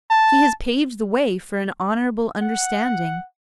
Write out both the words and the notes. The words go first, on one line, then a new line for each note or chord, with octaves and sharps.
He has paved the way for an honourable understanding.
A5
F#5